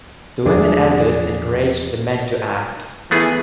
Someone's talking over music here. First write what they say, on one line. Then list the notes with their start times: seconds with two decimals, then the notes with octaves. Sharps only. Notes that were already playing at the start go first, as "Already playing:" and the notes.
The women elders encouraged the men to act.
0.45 E2 E3 F3 D4 G#4
3.11 E3 A3 B3 G#4